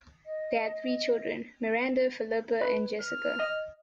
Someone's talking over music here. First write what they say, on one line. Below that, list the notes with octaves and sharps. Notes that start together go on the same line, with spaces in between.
They had three children, Miranda, Philippa, and Jessica.
D#5
B4
F6
D#5